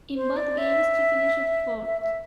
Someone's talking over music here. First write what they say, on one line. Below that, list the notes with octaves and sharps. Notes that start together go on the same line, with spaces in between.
In both Games she finished fourth.
C5
D5
E5
E5
E5